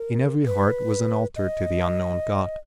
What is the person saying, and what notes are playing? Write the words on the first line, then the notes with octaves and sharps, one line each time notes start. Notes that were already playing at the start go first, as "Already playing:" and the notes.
In every heart was an altar to the Unknown God.
Already playing: A#4
B4
D#5